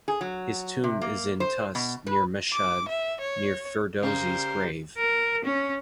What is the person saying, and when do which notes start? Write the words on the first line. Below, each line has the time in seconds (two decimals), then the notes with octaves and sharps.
His tomb is in Tus near Mashhad, near Ferdowsi's grave.
0.08 G#4
0.21 F#3
0.84 C3
1.01 A#3
1.40 C5
1.75 B2
2.07 B4
2.53 D6
2.89 E5
3.21 C#5
4.03 C#3 G3 A#4 C5 A#5
4.97 A#4
5.45 C#4